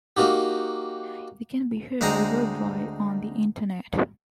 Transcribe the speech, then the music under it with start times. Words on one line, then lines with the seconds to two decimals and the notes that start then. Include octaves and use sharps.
It can be heard worldwide on the internet.
0.17 A#3 D#4 F#4 G4
2.01 D2 G#3 C4 D#4 A#5